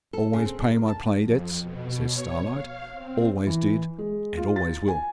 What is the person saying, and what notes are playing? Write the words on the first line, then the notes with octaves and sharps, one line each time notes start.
'Always pay my play debts,' says Starlight. 'Always did, and always will.
A4
C#3
C4
D4
A#4
A5
F2
B2
C#5
F5
C4
E3
G#3
F4
A6
G#5